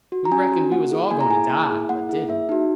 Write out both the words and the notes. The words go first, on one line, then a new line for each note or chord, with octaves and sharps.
We reckoned we was all going to die, but didn't.
F#4
A#5
C#4 G#5
F#4
A#3 F#5
E4 G#4
A#3 G#5
A#5
E4 G#4 G#5
A#3
E4 G#4
A#3 F#5
E4 G#4
A#3 E5
D#4 F#4